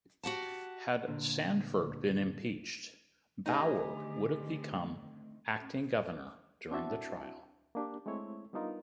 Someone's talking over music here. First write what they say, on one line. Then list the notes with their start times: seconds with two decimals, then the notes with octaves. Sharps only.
Had Sanford been impeached, Bauer would have become acting governor during the trial.
0.23 F#4 G4 F#5 A5
1.08 A#2 D3
3.46 D3 D#3 A3 C4 D#4 G4 G#4
6.71 C4 D4 E4 F#4 E5 A5
7.75 A#3 D4 G4
8.06 G#3 A3 C4 E4 C#5
8.53 G3 B3 D4 D#4 F4 A#4